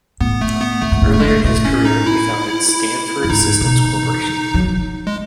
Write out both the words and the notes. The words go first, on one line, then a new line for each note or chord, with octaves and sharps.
Earlier in his career, he founded Stanford Systems Corporation.
A2 B3
A3
B3
A2 A3
G#2
A2
A3
G#3
A3
A2 A3
C#4
D#4
E4
E4
F#2 E4
G#2 D#4
B2
F#3
G#3